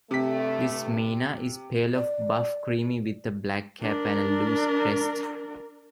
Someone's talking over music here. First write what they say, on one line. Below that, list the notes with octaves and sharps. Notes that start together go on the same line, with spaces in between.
This myna is pale buff creamy with a black cap and a loose crest.
G2 C3 A3 B6
D5
D4 A#4